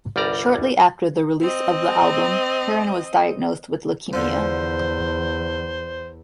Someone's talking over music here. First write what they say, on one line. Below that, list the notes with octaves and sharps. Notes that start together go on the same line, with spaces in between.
Shortly after the release of the album, Hearn was diagnosed with leukemia.
G1 C2 G3 D5 A#5
C4 D#5
E2 D3 F3 C5